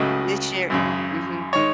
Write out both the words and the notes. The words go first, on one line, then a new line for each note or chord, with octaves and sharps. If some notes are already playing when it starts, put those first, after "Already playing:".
this year mhm.
Already playing: C#2 C#3 F#3 A3 D#5
G#1 F#2 C#3
D#3 G#3 C#5